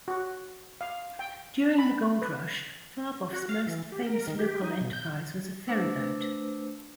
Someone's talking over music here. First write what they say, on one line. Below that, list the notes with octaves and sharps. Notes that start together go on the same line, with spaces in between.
During the Gold Rush, Firebaugh's most famous local enterprise was a ferry boat.
F#4
F5
G5
B5
B4
F#4
F5
E3
G4
A#4
D#3
G4
D#4
B2
G6
A3 D4 B4 C5 E6